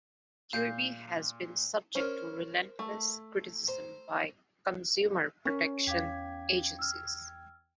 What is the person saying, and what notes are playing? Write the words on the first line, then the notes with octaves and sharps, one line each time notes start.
Kirby has been subject to relentless criticism by consumer protection agencies.
A#2 F5 G6
C#4 A#4 C5
A3
C5 A#5
C#4 A#4
E2 F5 G5 D6 G#6 B6
E6 F6